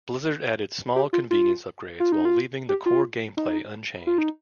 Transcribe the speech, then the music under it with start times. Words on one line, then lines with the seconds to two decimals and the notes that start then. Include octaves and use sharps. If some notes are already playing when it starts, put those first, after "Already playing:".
Blizzard added small convenience upgrades while leaving the core gameplay unchanged.
0.96 G4
1.13 F4
1.31 F4
2.00 F4
2.12 D#4
2.25 F4
2.69 G4
2.86 F4
3.37 D#4
4.07 F4
4.18 D#4